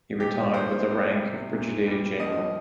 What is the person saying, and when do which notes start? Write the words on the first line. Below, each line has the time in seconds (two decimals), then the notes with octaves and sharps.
He retired with the rank of Brigadier General.
0.20 A#2 G4
0.53 A#3 C5
0.87 G3
1.21 C3
1.53 A#2
1.87 G3
2.19 F3 D#5